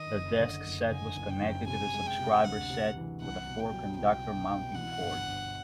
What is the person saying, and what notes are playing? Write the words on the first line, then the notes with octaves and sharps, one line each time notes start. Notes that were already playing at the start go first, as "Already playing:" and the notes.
The desk set was connected to the subscriber set with a four-conductor mounting cord.
Already playing: D#3 D#5
F#1
D3
F#1
D3 G#5
F#1
G5
F#2
C3 G#5
G#3
G5
C3
D2 F#5
C3
E3
C2 F#5
B2
G5
F#3
C2 G5
B2
B2
E3 F#5
G1
G1